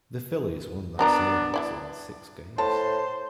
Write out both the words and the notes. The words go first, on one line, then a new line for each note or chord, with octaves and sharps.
The Phillies won that Series in six games.
F#3 B3 D4 A#4 A#5
E3 E4 D5
A2 C5 A5 C6